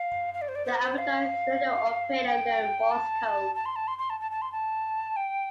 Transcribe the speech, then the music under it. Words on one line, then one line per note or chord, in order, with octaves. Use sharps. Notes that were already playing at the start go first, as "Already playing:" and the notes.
The amateur radio operator learned Morse Code.
Already playing: F5
F5
D5
C5
D5
C5
C5
F5
G5
A5
A5
C6
A5
C6
C6
A5
A5
A5
C6
A5
G5